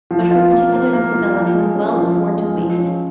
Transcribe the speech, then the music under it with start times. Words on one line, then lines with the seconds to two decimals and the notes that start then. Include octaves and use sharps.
But for particulars Isabella could well afford to wait.
0.11 F3
0.31 F4
0.51 A#3
0.72 A#3
0.93 A#3
1.13 F4
1.34 F3
1.54 G#3
1.75 C#4
1.96 F3
2.17 G#3
2.37 G#3
2.58 F3
2.78 C#4